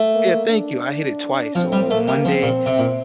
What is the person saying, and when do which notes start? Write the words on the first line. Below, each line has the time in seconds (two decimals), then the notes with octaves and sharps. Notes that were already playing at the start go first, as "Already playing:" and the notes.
Yeah. Thank you. I hit it twice. So on Monday,
Already playing: A3
0.15 A#3
0.50 D4
1.55 F3 C4
1.72 G3
1.90 A3 A#3
2.08 G3
2.25 F3 C4
2.42 A#2
2.66 C3
2.79 A#2